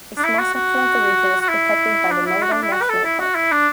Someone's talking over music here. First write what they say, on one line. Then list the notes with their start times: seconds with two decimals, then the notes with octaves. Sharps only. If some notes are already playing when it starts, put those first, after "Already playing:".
A small section of the region is protected by the Mungo National Park.
0.17 D4
0.24 E4
0.39 F#4
0.54 F#4
1.41 F#4
1.49 E4
2.11 D4
2.26 E4
2.43 F#4
2.52 D4
2.63 E4
2.73 F#4
2.82 B4
2.89 A4
3.05 E4
3.19 F#4
3.35 E4
3.52 D4